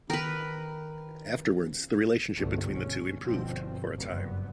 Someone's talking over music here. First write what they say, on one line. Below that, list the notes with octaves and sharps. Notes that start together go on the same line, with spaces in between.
Afterwards, the relationship between the two improved for a time.
D#3 A#4 B4
G1 C2 G2 A3
B2 C#4
G1 G2 B2 F3 C4
F#1 G2 B3